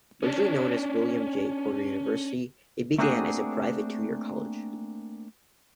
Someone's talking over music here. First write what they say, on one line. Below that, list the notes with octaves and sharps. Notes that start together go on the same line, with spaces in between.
Originally known as William J. Porter University, it began as a private two-year college.
C#4 D4
A3 A#3 C4 D4 F#4 G#4